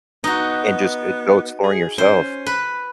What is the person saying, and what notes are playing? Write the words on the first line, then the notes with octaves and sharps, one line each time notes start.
and just g go exploring yourself
B3 D#4 F#4
G#4
C#4 C5
B4